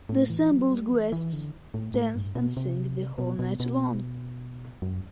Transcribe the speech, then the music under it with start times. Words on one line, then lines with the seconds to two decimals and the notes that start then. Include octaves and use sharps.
The assembled guests dance and sing the whole night long.
0.09 A2
0.30 E3
0.51 F#3
0.72 G3
0.91 E3
1.12 E3
1.33 D3
1.74 A2
1.94 A2
2.15 G2
2.35 B2
2.57 C3
3.18 B2
3.39 B2
3.60 B2
4.82 F#2